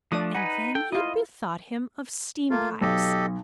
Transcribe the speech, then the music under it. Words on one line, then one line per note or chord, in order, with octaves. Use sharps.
And then he bethought him of steam-pipes.
F3 A3 D4 D5 D#6
D#4 B4 F#5 G#5
A4 G5
E4 F4 D#5
A3 A#3 F4
B1 G4 A4 D#5